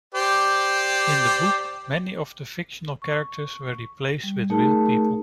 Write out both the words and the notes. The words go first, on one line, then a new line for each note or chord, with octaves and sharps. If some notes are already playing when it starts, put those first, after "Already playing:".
In the book, many of the fictional characters were replaced with real people.
G4 C5 D5
C#6
G3
A3 D#4 G#4 A#4 A5